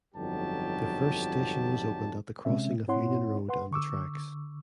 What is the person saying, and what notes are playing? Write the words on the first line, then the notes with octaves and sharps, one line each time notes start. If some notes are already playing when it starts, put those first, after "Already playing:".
The first station was opened at the crossing of Union Road and the tracks.
G1 F2 F#3 D#4 G4 A5
C3 G#3 C4 C#4 E5
G#2 C4 E4 C#5 F#5 C6
B4 F#5 C6
D3 C#6 D6 E6